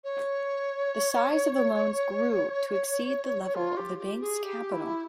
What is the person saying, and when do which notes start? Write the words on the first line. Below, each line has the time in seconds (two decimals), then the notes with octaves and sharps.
The size of the loans grew to exceed the level of the bank's capital.
0.04 C#5
3.55 F4
3.77 G4
3.99 G4
4.21 G#4
4.43 G4
4.72 E4